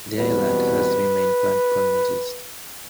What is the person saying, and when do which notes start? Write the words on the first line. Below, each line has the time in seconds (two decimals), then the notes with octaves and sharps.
The island has three main plant communities.
0.17 E2 B2 G3 C4 B4